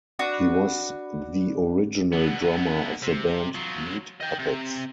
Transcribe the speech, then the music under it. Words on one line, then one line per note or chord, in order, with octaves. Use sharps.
He was the original drummer of the band Meat Puppets.
D4 F#4 B4
D3 B3
C3
F#3 F4
D#5 G5
C3